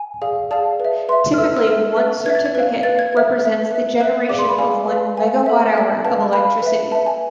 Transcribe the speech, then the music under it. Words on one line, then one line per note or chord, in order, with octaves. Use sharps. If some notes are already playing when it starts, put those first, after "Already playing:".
Typically one certificate represents the generation of one Megawatthour of electricity.
Already playing: G#5
G#4 D5 F5
G#4 D5 F5 A5
B4 E5
B4 E5 C6
F6
A4 E5 E6
E6
A4 E5 F6
B4 E5
B4 E5 G#6
A6
G#6
B4 F5
B4 F5 A6
G#6
B4 E5
B4 E5
B4 E5
B4 E5
G#4 D5 F5 D6
C6
B5
G#4 D5 F5 G#5
B4 F5
B4 F5 G#5
A4 E5
A4 E5
B4 F5 A5
B4 F5 B5
B4 E5
B4 E5 A5
G#5